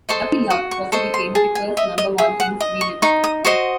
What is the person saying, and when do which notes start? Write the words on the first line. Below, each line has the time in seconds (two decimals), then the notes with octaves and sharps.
"Lucky Love" also became their first number-one in Sweden.
0.09 A4 C5 D#5 C#6
0.50 F#4 D#6
0.71 C#6
0.92 A4 C5 D#5 C#6
1.14 C6
1.35 G#4 A5
1.55 G#5
1.77 D#5 E5
1.98 D#5
2.18 G#4 E5
2.40 F#5
2.60 D#5
2.81 C#6
3.02 D#4 C#6
3.24 D#6
3.45 F#4 C5 D#5 C#6